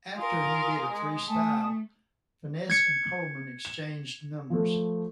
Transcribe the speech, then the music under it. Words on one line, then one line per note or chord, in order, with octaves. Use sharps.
After he did a freestyle, Finesse and Coleman exchanged numbers.
F4 A#4 G#5 D#6
G#3
A3 G#5 A5 D#6
G#6 C#7
E7
F3 A3